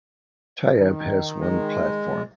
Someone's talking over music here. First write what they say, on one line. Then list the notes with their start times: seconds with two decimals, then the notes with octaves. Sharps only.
Tyabb has one platform.
0.75 D#3
1.41 G#3